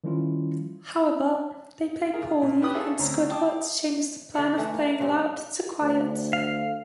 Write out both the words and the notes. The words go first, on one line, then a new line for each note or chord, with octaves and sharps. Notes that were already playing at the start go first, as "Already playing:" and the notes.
However, they play poorly, and Squidward changes the plan of playing loud to quiet.
D#3 F3 G3 C#4 E4 F4
F4 G#4 A#4
A#2
G4 B4 G5 D#6 F#6
D#4 F4 G#4 A4 C#5 E5
D2 C4 C#4 A#5
D5 F5 G5 A5 D6 D#6
D3 E4 F#5
E3 A3 E4
A#3
G2 A#2 F3 F#3
D2
F5